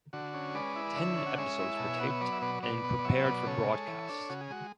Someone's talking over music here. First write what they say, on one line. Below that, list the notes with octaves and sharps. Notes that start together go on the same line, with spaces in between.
Ten episodes were taped, and prepared for broadcast.
D3 F#4
C#4
G#3 B4 D5
E4
D3 C#5 E5
C#4
F#5
G#3 C#5 E5
E4
B2 A5
G#5
B3 F#5
E5
F#3 B4 D5
E5
B2 B4 D5
B2 B4 D5
B3
D5
F#3 C#5 E5
B2 B4 D5
C#3 A4 C#5
G#3
E3
D4
C#3 F#4
G#4
G#3 F#4